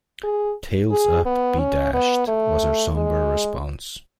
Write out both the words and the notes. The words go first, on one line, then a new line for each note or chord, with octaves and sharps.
"Tails up be dashed," was her sombre response.
G#4
G#4
B3
C#4
B3
A3
G#3